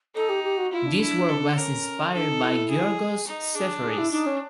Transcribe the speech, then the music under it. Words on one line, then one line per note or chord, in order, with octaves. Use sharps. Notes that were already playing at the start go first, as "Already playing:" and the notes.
This work was inspired by Giorgos Seferis.
D#4 A4
G4
G4
F#4
E4 F4
D4
E4
A4
C#4 A#4
D4 A4
D#4
E4
G#4
D#4
D4 G#4
G#4
E4
D4 D#4
C#4